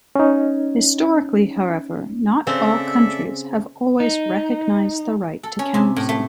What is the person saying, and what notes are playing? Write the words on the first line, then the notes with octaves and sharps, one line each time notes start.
Historically, however, not all countries have always recognized the right to counsel.
C#4 D#4
C#3 C4 A4 D5 E5
D#4
A4
C#4
C3
A2
A3